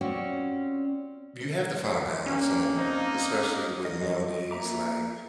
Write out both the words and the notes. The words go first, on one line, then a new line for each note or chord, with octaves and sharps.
you have to find a balance in it, especially with, nowadays, like,
C4 C#4 F4 F#4 C#5 D5
A#3 C#4 D4 G4
C4 D4 D#4
D#5
A#3 E5 A#5 D6